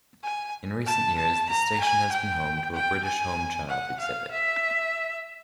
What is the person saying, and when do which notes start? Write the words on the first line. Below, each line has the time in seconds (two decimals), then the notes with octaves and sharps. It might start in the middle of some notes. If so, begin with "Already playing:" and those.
In recent years the station has been home to a British Home Child exhibit.
0.23 G#5
0.86 A5
1.17 A5
1.49 A#5
1.80 G#5
2.12 G5
2.75 G5
3.05 G#5
3.68 F#5
4.00 F5
4.31 E5